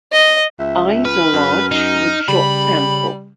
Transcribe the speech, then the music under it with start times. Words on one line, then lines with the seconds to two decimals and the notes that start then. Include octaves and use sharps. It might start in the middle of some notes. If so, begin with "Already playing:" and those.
Eyes are large with short temple.
0.12 D#5
0.59 C#2 E5
1.05 B4 F6
1.33 F#2
1.71 D#4
2.28 C#3 G3 B5